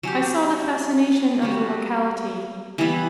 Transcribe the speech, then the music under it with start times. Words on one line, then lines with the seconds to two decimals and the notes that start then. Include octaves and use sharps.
I saw the fascination of the locality.
0.03 F#3 C#4 G4
1.42 G3 B3 F#4
2.78 E3 G3 B3 E4